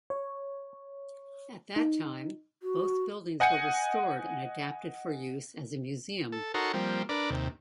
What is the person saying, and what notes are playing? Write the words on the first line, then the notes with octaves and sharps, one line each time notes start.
At that time, both buildings were restored and adapted for use as a museum.
C#5
D#4
F#4
D#5 F#5 G#5 G6 C#7
A4
D#4 F#4 A4 A#4 C#5 C6
F3 G3 A#3 C4
D4 A#4 B4 D5
D#2 C3